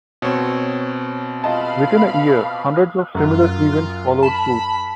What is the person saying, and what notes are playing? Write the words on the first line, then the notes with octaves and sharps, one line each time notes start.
Within a year, hundreds of similar events followed suit.
B2 C4 C#5
F4 D#5 F5 A5 B5
F#2 F4
A5 B5